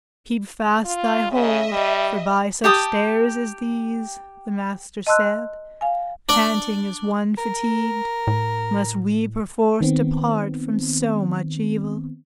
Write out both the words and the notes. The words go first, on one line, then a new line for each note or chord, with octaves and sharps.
"Keep fast thy hold, for by such stairs as these," The Master said, panting as one fatigued, "Must we perforce depart from so much evil."
F4
C#3 D#5 E5
G3
G4 G5 A5 D#6
D#5 A5 C6 E6 F#6
F5 G#5
D4 D5
A#4
A2
D#3 B3 C4